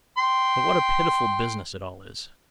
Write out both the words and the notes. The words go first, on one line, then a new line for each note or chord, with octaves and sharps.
But what a pitiful business it all is!
G5 C6